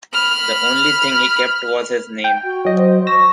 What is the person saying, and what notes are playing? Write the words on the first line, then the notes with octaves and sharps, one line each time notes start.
The only thing he kept was his name.
B5 F6
G5
F#4
F#3 D#5
C5
C#6 E6 A#6